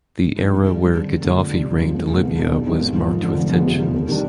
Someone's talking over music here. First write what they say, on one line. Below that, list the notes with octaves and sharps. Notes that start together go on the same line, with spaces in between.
The era where Gaddafi reigned Libya was marked with tensions.
G#2
F3 C4 D#4 G#4
G#2
D#3 G3
G2
D3 G#3 C4
F1
F2 D3 G#3 C4
F2
C3 G3 D4
G2
F3 G#3
D2
C3 D#3 G#3 B3
C2
B2 G#3 D4 G#4
B1
B2 G3 C4 D#4
G#1
G#2 F3
F2
D3 F3
F1
F2 D3 G#3 B3
C3
F3 B3
D#2
D#3 G3 D4